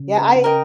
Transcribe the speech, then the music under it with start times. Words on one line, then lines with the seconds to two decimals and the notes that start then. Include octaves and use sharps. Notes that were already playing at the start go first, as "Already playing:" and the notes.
Yeah, I
Already playing: C#3
0.44 A#4 D#5 G5